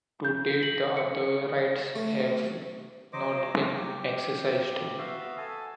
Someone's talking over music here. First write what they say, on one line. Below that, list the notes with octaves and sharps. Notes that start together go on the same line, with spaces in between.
To date the other rights have not been exercised.
G6
F#7
C#7
A3
F#3 C5 D#5 D6
G4
B3 F#4 E5 F5
A4 G#5 A5